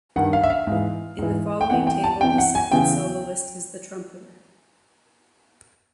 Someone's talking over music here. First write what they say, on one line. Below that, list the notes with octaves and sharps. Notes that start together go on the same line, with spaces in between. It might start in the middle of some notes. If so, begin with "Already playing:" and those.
In the following table, the second soloist is the trumpeter.
G2 D#3 F#5
F5
E5
F5
G#2
E3
G#2 E3
G5
E2 C3 E3 F#5
G5
A5
E2 C3 E3 G5
F#5
G#5
E2 C#3 E3 G5